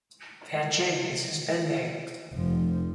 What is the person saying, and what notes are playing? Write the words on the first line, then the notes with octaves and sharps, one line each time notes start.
Fancheng is his Pen name.
F1 F3